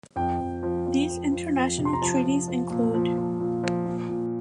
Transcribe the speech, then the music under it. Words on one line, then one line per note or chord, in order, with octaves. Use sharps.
These international treaties include.
F2 G5
F2
F3
F3
F3
F3
F2
C3
C6
A#5
F3 A5
F3
F3
A#2
F3
F3
A#2
F3
A#2
A#2